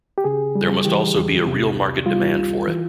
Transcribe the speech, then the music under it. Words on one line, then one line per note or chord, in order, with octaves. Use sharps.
There must also be a real market demand for it.
G4
C#3 G#4
G3
E3 G4
E2
C3
C2
G3 F4
C2
E3